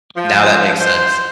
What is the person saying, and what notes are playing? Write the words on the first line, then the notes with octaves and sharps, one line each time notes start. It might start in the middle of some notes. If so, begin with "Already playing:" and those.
Now that makes sense.
F3
C5